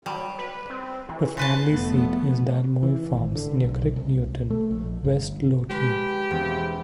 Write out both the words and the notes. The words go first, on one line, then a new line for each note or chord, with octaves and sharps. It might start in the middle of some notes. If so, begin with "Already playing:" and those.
The family seat is Dalmahoy Farms, near Kirknewton, West Lothian.
F#3 G3
B4
C4
E3
C#3 B4 A5 C6
F1 A3 B3
E3
G#1
D3
B1
C2
A3
A#1
G1
G#3 G4 B4
E1 B3 C4